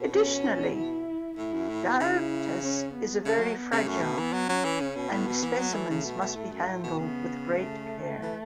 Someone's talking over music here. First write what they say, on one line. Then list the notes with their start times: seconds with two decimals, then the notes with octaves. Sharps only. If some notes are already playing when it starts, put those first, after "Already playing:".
Additionally, dioptase is very fragile and specimens must be handled with great care.
Already playing: B2
0.13 C#4
0.75 E4
1.37 A2 E4
1.53 F#2
1.69 A2
1.84 B2
2.00 C#3 E4
2.63 C#4
2.94 B3
3.25 C#3 A3
3.40 F#3
3.56 B3
3.72 C#3
3.87 F#2 A3
4.02 B2
4.18 E3 B3
4.33 F#3
4.49 F#3 C#4
4.65 E3
4.80 C#3
4.95 B2
5.12 A2 B3
5.27 B2
5.43 E3
5.58 F#3
5.74 E3 A3
5.90 C#3
6.05 B2
6.21 B2
6.36 A2
6.52 F#2
6.67 A2
6.84 B2
6.98 C#3 B3
7.61 A3
8.23 E3